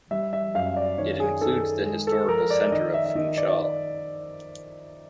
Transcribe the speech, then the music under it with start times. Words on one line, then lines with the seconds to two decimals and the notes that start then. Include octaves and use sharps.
It includes the historical centre of Funchal.
0.11 G3 E5
0.33 E5
0.55 F#2 F5
0.76 D5
0.98 D#3 C#5
1.20 G#4
1.41 D#3 A4
1.63 A4
1.85 G#3 G#4
2.07 A4
2.28 F3 A#4
2.50 D5
2.72 D#3 D#5
2.94 E5
3.06 E5
3.15 D#3 D#5
3.38 D5